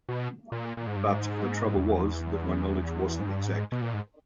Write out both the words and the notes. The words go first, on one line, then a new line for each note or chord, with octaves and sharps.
But the trouble was that my knowledge wasn’t exact.
B2
A#2
A#2
G#2
G2
G#2
E2
G#2
G2
G#2
B2
A#2
G#2